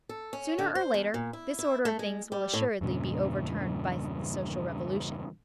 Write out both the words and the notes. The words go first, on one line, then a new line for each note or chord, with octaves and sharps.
Sooner or later, this order of things will assuredly be overturned by the social revolution.
A4
C#4
D3
C5
E2
A#2
E4
E4
A3
G#3
G3
A2
E2 G2 A#2 C#3